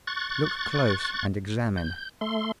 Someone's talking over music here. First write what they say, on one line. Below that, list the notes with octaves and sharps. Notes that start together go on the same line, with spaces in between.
"Look close, and examine."
C#6 F#6 A6
G6
A3 C6